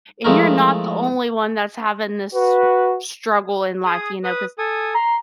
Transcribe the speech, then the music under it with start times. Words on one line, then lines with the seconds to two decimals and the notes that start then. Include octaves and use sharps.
and you're not the only one that's having this struggle in life, you know, 'cause
0.24 F3 G#3 A3 E4 A#4
2.34 F#4 B4
3.86 G#4 D#6
4.24 B4 D#6
4.59 A4 G#5 D#6
4.94 A#5 C6